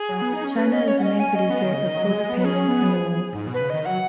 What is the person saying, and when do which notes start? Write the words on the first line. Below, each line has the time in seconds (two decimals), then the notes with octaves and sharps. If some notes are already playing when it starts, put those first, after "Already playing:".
China is the main producer of solar panels in the world.
Already playing: G#4
0.09 F#3
0.22 B3
0.33 D#4
0.44 C#4
0.56 B4
0.72 D#5
0.88 C#5
0.99 F#5
1.03 D#5
1.20 G#5
1.35 D#5
1.50 B3
1.63 D#3
1.73 C#3
1.85 D#3
1.97 F#3
2.13 G#3
2.29 B3
2.39 B4
2.45 C#4 G#4
2.68 B3
3.34 G#2
3.47 B2
3.54 B4
3.60 C#3
3.70 D#3 D#5
3.85 F#3 F#5